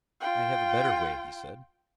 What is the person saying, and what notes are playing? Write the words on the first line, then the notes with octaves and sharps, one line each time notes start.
"I have a better way," he said.
F4 G5